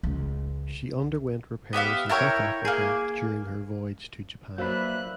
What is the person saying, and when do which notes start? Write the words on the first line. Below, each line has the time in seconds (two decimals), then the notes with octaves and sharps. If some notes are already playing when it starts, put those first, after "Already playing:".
She underwent repairs in South Africa during her voyage to Japan.
0.03 C#2
1.73 B3 G4 E5 F5
2.09 E4 A#4 C#5 G5
2.65 A#3 G#4
4.58 F3 F#3 A#3 D4 B4 E5 B5 F#6